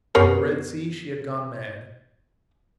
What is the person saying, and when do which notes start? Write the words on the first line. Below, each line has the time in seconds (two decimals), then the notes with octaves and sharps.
In the Red Sea she had gone mad.
0.15 F#2 B3 G4 A#4 C#5 C7